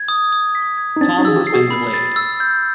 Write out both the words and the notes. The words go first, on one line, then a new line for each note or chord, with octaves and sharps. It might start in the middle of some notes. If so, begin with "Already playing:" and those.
Tom has been delayed.
Already playing: G#6
D#6
D#6
B6
G#6
D#4
C4 D4 A6
C#4 D#4
G#4 E6
F4 G4
C7
F#4 G#4
B5
A6
E6
G6